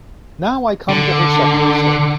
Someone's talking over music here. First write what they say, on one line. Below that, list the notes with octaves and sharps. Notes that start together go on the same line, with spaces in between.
Now I come to her second mistake.
D3